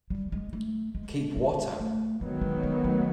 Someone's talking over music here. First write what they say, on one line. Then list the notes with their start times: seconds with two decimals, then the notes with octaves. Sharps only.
Keep what up?
0.10 G3
0.32 G#3
0.53 A3
0.95 G#3
1.36 G#3
1.80 A3
2.21 D#3 F#3 G#3 B3
2.41 G#3
2.63 G#3
2.84 A3